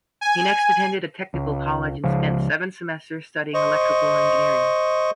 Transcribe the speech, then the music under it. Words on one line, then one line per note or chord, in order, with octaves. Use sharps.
He next attended a technical college and spent seven semesters studying electrical engineering.
G#5
C#2
C#2 C#3 F3
C5 D#5 C#6